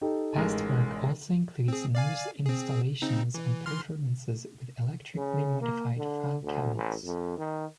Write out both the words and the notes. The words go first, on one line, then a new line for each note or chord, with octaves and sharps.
Past work also includes noise installations and performances with electrically modified file cabinets.
D#4 G4 A4
A1 G#3 A#4
C4 G#4
D5 F5 G#5
C4 G#4
C#3 C4 D#4
E3
E3 C6 F6
C#3
A#3
D3
D2
A1
F2
D#3